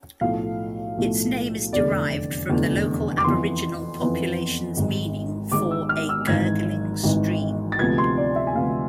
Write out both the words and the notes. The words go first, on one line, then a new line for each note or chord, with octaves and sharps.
Its name is derived from the local aboriginal population's meaning for, "a gurgling stream".
B1 A2 F3 A3 F5
B1 A2 F3 A3
F1 E2 D3 D5
F1 E2 D3
D6
F2 E3 B3 C6
F2 E3 B3
G#1 G#2 G#3
G#1 G#2 G#3 D6
E6
F6
E6
G#1 G#2 E3 G#6
G#1 G#2 E3
A6
D2 C3 F3 B3 G#6
C6
D5
E5
G#5
D2 C3 F3 B3 F5